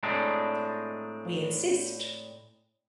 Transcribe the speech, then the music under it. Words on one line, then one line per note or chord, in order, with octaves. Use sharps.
We Insist!
A2 G#3 C4 D4 D#4